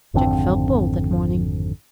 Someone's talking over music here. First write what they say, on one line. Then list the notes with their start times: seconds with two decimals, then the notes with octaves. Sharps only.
Jack felt bold that morning.
0.14 G#1 F2 D3 C4